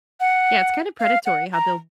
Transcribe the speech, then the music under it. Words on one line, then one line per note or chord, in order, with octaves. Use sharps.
Yeah, it's kinda predatory how they'll
F#5
F5
F#5
A#5